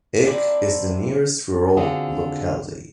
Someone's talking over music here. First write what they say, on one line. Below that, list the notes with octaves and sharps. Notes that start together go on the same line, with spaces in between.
Ik is the nearest rural locality.
A#3 C4 D4 E4
D3 C4 F4 F#4 G#4